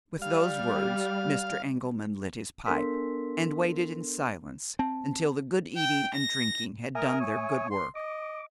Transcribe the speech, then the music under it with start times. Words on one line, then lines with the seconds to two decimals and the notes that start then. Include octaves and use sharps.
With those words Mr. Engelman lit his pipe, and waited in silence until the good eating and drinking had done their good work.
0.22 G3 F5
2.66 B3 D4 A4 A#4 C6 B6
4.79 C4 A5
5.77 G5
6.15 A#6
6.95 A#4 E5 G#5 D#6
7.20 C#5
7.71 C6
7.95 D#5 D6